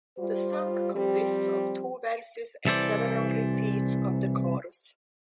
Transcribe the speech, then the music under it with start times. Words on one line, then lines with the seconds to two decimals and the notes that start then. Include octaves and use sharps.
The song consists of two verses and several repeats of the chorus.
0.18 G3 F4 C5
0.95 F3 G3 C4 G4
2.65 C2 E3 A4 C5 D5